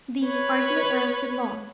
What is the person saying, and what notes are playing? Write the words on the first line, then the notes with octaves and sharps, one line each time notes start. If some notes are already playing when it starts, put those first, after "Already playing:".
The argument lasted long.
B4 C#5